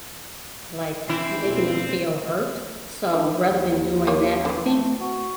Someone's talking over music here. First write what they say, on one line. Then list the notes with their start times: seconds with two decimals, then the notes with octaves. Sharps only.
like, making them feel hurt, so rather than doing that, I think
1.10 E3 C4 E4
1.44 E1
3.13 D#3 D4
3.44 D#2
4.07 A#3 C#5
4.45 D3 E3
4.64 A3
5.00 F#4